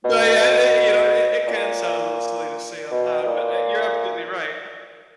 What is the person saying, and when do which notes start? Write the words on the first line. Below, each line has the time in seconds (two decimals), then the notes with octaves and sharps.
But, yeah, i you know, it it can sound a little silly to say out loud, but, eh, you're absolutely right.
0.04 B2
0.40 B2
1.47 A#2
2.91 B2
3.23 B2
3.27 A#2